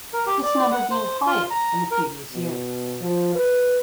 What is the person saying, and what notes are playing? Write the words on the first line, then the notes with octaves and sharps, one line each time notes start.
This number being higher than the previous year.
A#4
G4
D5
F#5
C5
F4
A#5
A#4
B2
F3
B4